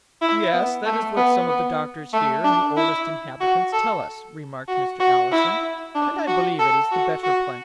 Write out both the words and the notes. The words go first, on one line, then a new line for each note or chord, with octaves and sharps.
"Yes, that is what some of the doctors here, and the oldest inhabitants, tell us," remarked Mr. Allison, "and I believe it is the better plan."
E4
B3
A3
B3
B3
A3
D4
E4
F#4
A4
F#4
F#4
E4
D4
F#4
A4
F#4
F#4